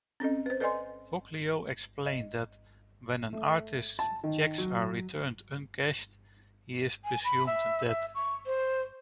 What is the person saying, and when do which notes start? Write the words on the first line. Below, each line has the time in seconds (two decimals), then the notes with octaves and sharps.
Foglio explained that When an artist's checks are returned uncashed, he is presumed dead.
0.20 C4 C#4 A4 D#5
0.46 B4 C5
0.60 A4 B4 D5 D#5 G#5 C6
2.05 D#5
3.33 A3
3.99 A5
4.24 D#3
4.58 F#3
7.05 G#5
7.24 B5
7.47 E5
7.88 E5
8.15 C#6
8.46 C5